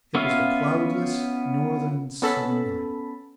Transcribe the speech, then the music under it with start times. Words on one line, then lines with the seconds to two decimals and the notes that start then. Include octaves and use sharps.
It was a cloudless, northern, summer night.
0.15 B3 C#4 F4 E5 F5
2.22 B3 C#4 A4 A5 B5